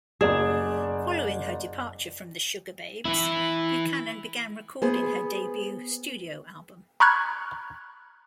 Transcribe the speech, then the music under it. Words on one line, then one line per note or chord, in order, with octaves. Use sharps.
Following her departure from the Sugababes, Buchanan began recording her debut studio album.
F#1 G#4 D5 E7
E3 E4
B3 G#4 C5
A#5 B5 C#6 F6 F#6 G#6